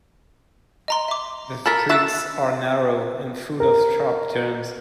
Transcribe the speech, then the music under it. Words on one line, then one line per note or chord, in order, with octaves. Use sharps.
The streets are narrow and full of sharp turns.
D#5 A#5 C6
E5 D6
A4 A#4 B5 A6 B6
F#4 E5 A5 E6 F#6 A6
A#4